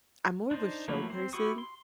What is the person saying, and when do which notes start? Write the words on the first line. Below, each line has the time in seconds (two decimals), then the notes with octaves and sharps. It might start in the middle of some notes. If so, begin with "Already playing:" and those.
I'm more of a show person
0.51 D4 D#4 C5
0.88 F3 F#3 A3 A#3 E4
1.10 C4 C5
1.33 E4 F#4 G4 C#6 D#6
1.58 C6